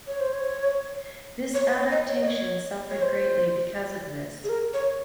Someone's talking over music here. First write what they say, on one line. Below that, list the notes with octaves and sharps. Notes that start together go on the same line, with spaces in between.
This adaptation suffered greatly because of this.
C#5
C5
C#5
C#5
C5
C#5
D#5
C#5
D#5
C#5
C#5
C5
G#4
A#4
C#5